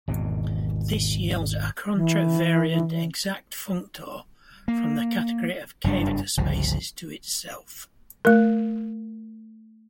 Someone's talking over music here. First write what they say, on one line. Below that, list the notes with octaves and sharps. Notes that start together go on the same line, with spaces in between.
This yields a contravariant exact functor from the category of "k"-vector spaces to itself.
G#1 E2 B2
E3
A#3
F#1 G2 F#3 D4
G1 C#2 F3
A3 A#4